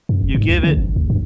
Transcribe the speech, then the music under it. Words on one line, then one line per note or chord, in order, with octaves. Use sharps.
you give it,
F#2
E1
G#2
C#2
D3
G1
D2
G2